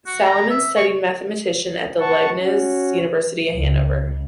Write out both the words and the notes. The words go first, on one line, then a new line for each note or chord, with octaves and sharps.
Salamon studied mathematician at the Leibniz University Hannover.
F#4
A#5
E5
C#6
F#5 A5 C#6
C#4 F#4
C#2